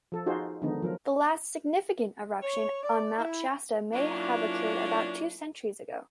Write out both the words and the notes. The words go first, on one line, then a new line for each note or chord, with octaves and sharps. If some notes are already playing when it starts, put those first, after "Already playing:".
The last significant eruption on Mount Shasta may have occurred about two centuries ago.
F3 A4
D#4 F4 F#4 G#4 C5
D3 D#3 F3 G#3 B3 D#4
F3 F#3 A#4
C#5
D5
E4
F#3 A#3 C#4 D4 E4 F4